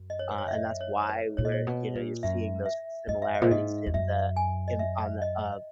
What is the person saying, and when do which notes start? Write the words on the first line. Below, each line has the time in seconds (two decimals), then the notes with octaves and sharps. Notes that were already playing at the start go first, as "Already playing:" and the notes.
Uh, and that's why we're you know, you're seeing those similarities in the in on the, uh,
Already playing: F#2
0.10 D#5
0.19 C#5
0.29 B4
0.38 C#5
0.48 E5
0.52 D#5
0.81 C#5
1.02 C#5
1.09 B4
1.37 A#2 C#5
1.45 D#5
1.52 C#5
1.67 B2
1.95 A#2
2.23 F#2 E5
2.66 E5
3.08 F#2 D#5
3.22 E5
3.35 D#5
3.42 A#2
3.51 G#2 D#5
3.86 E2
3.94 F#2 E5
4.36 G#5
4.68 D#5
4.79 E5
5.22 D#5